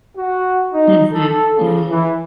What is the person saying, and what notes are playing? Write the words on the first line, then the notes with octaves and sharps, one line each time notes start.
Mhm, mhm.
F#4
D#4
A4
C#3
E3